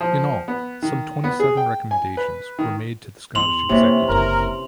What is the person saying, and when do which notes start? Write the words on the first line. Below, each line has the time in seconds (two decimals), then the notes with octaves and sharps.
In all, some twenty seven recommendations were made to the Scottish Executive.
0.01 F3
0.48 B3
0.82 D#3
1.24 B3
1.40 G#4
1.57 G5
1.91 G#5
2.17 B4
2.59 D#3
3.35 E2 C6 F7 F#7
3.69 C3 E3 A#3 C4 C#4
4.09 F#1 A#4